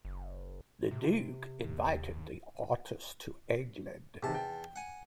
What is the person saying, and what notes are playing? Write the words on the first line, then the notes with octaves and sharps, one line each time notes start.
The Duke invited the artist to England.
F#1
C3
D#2
E2 C3 D#3 A5
G5
F#5 G#5